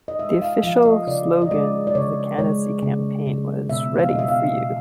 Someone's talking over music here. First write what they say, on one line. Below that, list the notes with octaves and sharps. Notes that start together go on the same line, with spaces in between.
The official slogan of the candidacy campaign was, "Ready for you".
D#5
G#3 E5
F5
F3 F5
D#5
C#3 D5
D#5
G#3 D5
D5
C#3 C#5
G#3 C#5
C#3
C#3
B2 E5
F5
D#5
B2 E5
F5
B2